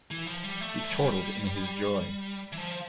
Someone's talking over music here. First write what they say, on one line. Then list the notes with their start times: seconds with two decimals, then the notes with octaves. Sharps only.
He chortled in his joy.
0.11 E3
0.27 F3
0.43 G3
0.61 A3
0.83 F3
0.93 G3
2.53 E3
2.58 F3